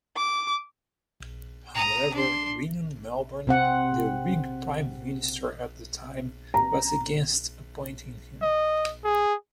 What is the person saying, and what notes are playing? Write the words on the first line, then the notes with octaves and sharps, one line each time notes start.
However, William Melbourne, the Whig Prime Minister at the time was against appointing him.
D6
A#5 D#6
D4 C6
C3 C4 F#5
A#5
D#5
G#4